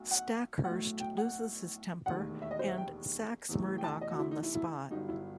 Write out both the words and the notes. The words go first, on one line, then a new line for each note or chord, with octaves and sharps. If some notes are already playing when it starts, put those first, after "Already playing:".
Stackhurst loses his temper and sacks Murdoch on the spot.
Already playing: B1 A3
F#5
B1 A2 F#3 A3 F#5
G5
F#5
E1 D#2 D#3 A3 F#5
E5
D#5
C5
E5
G5
E2 C3 E3 A3
G5
A5
D#5
F#4
E4
D#4
E4
E4
G1 G2 F#3 D#4
E4